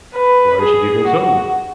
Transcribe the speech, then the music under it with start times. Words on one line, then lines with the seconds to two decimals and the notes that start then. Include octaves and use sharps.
"Why should you think so?"
0.15 B4
0.62 G#4
1.08 F#4